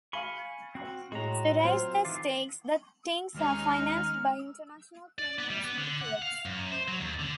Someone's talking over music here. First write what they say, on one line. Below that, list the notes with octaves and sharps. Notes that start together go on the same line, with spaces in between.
To raise the stakes, the Tings are financed by international criminal syndicates.
F5 G#5 B5 C#6 G7
C4 F#4
A2 G#3 F#4 A#5
F#3 C4 F4 C5
D#3 E3 F4 D6
D#2 G#3 C#4 D#4 F6
D5
B3
G3
B3
D3
F#5
F5
F#2
C5
F#3
D#2
D3